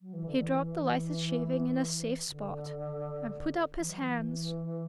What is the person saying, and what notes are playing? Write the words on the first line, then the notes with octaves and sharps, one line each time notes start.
He dropped the lighted shaving in a safe spot and put up his hands.
F#3
E3
D3
E3
E3
D3
E3
F#3
E3